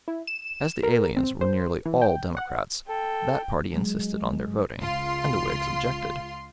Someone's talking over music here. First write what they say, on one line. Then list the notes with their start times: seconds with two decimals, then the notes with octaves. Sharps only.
As the aliens were nearly all Democrats, that party insisted on their voting, and the Whigs objected.
0.08 E4
0.27 E7
0.83 A#4
1.17 C4
1.41 C5
1.85 E3
2.02 G5
2.37 F#5
2.89 A4 G5
3.73 F#3 G#3
4.80 C#2 F4 C6